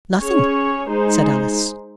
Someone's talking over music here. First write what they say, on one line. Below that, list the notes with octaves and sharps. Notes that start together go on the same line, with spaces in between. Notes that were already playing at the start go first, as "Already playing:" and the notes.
'Nothing,' said Alice.
C#4 G#4 C#5
G#3 D#4 G#4 C5